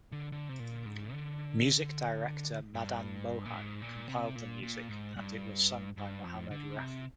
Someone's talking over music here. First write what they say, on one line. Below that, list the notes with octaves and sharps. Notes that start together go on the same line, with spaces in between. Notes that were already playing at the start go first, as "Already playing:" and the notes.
Music director Madan Mohan compiled the music and it was sung by Mohammad Rafi.
D3
D3
C3
A#2
G#2
D3
G2
A#2
G#2
A#2
C3
A#2
A#2
G#2
G2
G2
F2
D3
C3